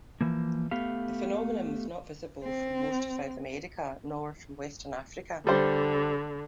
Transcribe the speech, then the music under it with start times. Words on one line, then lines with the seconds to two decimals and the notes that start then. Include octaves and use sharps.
The phenomenon was not visible from most of South America, nor from western Africa.
0.21 E3 F3 A#3
0.71 A3 B3 G4 F5
2.44 C4
5.47 D3 G3 C5